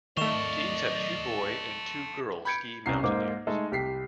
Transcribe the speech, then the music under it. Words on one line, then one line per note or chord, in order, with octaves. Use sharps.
Teams have two boy and two girl ski mountaineers.
D#3 A3 A4 D5 D#5 F5 C#6 E7
B5 G6 G#6 C#7 D7
C2 C#4 A#5 C7
G#2 A#3 D#4 C5 D6
G#3 A3 D#4 A4
C2 G4 B6 C7